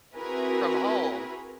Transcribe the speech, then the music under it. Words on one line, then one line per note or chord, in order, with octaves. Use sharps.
from home
C4 E4 F#4 G#4 A#4 B4